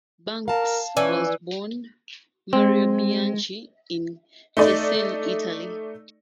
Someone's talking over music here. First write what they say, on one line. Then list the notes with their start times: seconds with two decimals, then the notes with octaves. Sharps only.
Banks was born Mario Bianchi in Cesena, Italy.
0.48 A#4 F5 A5
0.97 E3 C#4 D5 G#5
2.53 G#3 C4
4.57 A3 D#4 D5